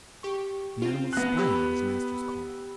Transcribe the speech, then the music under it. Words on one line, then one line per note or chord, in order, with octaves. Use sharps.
The animal sprang at his master's call.
G4 C#6
C4 F4
B3 F#6 A#6 C7
G4 B5 E6